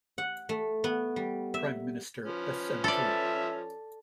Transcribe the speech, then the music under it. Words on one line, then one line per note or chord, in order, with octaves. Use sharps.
Prime Minister Smt.
F#5
A3
B3
G3
E5
F3 C#4 B4
A4 D5 E5